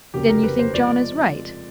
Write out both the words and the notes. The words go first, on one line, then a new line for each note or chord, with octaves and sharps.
"Then you think John is right?"
F1 D#2 C#3 F#3 A#3 G4
A#4
B4
C5
C3 F3 G#3 D5